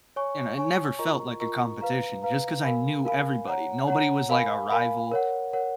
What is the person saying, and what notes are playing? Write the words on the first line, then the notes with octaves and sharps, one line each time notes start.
and it never felt like a competition just 'cause I knew everybody. Nobody was, like, a rival,
C#5 G#5 C#6
C#5 G#5 C#6
F4 A#4 D#5 A#5 C#6
F4 A#4 D#5 A#5 C#6
B4 F5 A#5
B4 F5 A#5
A#4 F5 G#5 B5
A#4 F5 G#5 B5
C#5 F#5 A#5
C#5 F#5 A#5
A#4 F5 G#5 B5
A#4 F5 G#5 B5
A#4 C#5 F#5
A#4 C#5 F#5